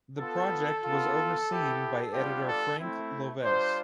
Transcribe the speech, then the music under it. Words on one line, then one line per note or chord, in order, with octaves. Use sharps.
The project was overseen by editor Frank Lovece.
B3 F4 A4
B3 F4
B3 E4 G4
G3 B3 D4 F4 G4
A4
A3 C4 E4
G3 D4 F4 C5